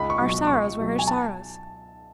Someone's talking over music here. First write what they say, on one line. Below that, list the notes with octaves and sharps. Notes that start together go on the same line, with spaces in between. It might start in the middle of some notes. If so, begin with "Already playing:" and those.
Our sorrows were her sorrows.
Already playing: C#2 B5
C#6
B2 F#3
C#6
C#2 C#6
B2 F#3
G#5
A5